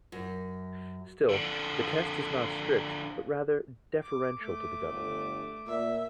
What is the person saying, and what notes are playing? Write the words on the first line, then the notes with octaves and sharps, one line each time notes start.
Still, the test is not strict but rather deferential to the government.
F#2
D3 F3
D6
A3 D6
G1
A#2 E5